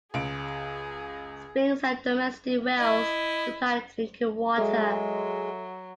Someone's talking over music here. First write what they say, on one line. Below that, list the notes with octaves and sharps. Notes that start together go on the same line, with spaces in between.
Springs and domestic wells supplied drinking water.
C#2 G#4 D7
E4 D#5
F#3 G#3 A4 E5